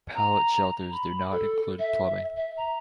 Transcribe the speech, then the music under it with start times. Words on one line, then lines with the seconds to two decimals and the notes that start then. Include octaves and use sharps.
Pallet shelters do not include plumbing.
0.15 A#5
0.92 B5
1.31 A4
1.79 E5
2.37 E5
2.57 A#5